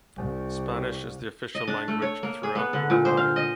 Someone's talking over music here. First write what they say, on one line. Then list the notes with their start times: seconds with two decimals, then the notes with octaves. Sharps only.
Spanish is the official language throughout Navarre.
0.16 C2
1.55 D#5
1.67 D4
1.88 A3
2.02 C#5
2.23 A#3
2.43 G#4
2.55 B3
2.73 D3
2.90 A#2
3.05 C5
3.17 F5
3.36 D#5